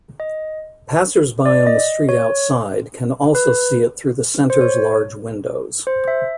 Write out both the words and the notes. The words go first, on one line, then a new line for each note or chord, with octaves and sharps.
Passersby on the street outside can also see it through the Center's large windows.
D#5
D5
D#5
C#5
B4
C5
C#5
C5
E5